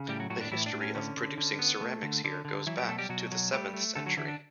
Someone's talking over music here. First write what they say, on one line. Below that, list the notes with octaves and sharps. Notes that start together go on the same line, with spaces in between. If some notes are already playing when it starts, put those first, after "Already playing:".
The history of producing ceramics here goes back to the seventh century.
Already playing: C#3
A2 G3 G4
F#3 F#4
A2 F#3 F#4
D4
A2 E3 E4
D4
A2
C#4
D3 C#4
D3
D3
B3
A3
D3
D3
D3
E3 F#3 E4
G3 G4
B2 A3 A4
G3 G4
B2 F#3 F#4
F#3
G3 A3 G4
A3
D3 A3 A4
F#3 F#4
D3 E3 E4
D4